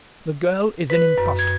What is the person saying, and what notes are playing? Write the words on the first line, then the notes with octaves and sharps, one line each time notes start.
The girl is an impostor.
B4
F#2
G#6